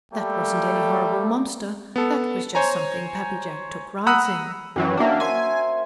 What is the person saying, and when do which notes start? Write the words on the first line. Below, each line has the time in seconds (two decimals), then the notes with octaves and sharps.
That wasn't any horrible monster, that was just something Pappy Jack took rides in.
0.13 G3 A3 A#3 A4 G5
1.96 B3 A4
2.55 C5 C#5 G#5 A#5
4.07 F#5 A#5 B5 D#6 E6 F#6
4.76 F#2 E3 F#3 G5
4.97 A#3 C#4 D4 F#4 E5
5.20 A#4 C5 G#5 C#6